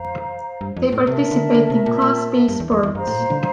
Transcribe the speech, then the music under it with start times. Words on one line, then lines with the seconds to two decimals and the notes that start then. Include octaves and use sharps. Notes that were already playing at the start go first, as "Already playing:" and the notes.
They participate in Class B Sports.
Already playing: F2 C5 F5 A#5
0.61 G2
0.77 F2
0.92 A2
1.07 C3 A#4 E5 A5
1.31 D3
1.55 D3
1.70 C3
1.86 A#2
2.02 A#2
2.48 G2
2.60 E2
2.72 F2
2.83 E2
2.95 G2 C5 F5 A#5
3.07 A2
3.18 A#2
3.30 D3